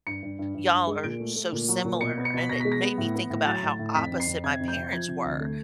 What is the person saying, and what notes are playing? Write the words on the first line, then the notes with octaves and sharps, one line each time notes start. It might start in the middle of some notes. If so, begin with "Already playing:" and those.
y'all are so similar, and it made me think about how opposite my parents were,
G2 C#7
G2
G2
G2
G2
G#3
A#2 D7
A3
A3
A#2
F#3
A#2
B2 C#7
B3
C#7
B2 B6
B2 A#6
G#3 B6
A#6
B3
A2
B3
A2
F#3 A6
A2
A2
F2 B6
F2
C7
F2
C3 G#6
F2
G6
C3
F3 G#6
C3
D2
A3